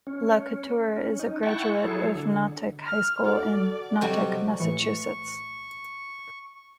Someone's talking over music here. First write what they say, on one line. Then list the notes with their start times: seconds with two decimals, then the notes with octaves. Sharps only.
LaCouture is a graduate of Natick High School in Natick, Massachusetts.
0.07 C#4
0.96 C#4
1.19 D#4
1.43 E4 F#5 G5 A5 C#6
1.85 F#3 E4 G#4 A4
2.15 D3
2.86 F6
3.25 F#4 A4 D5 F#5
4.01 C3 F#3 G3 F#4 A4 D#5
4.60 A2 E3 C#6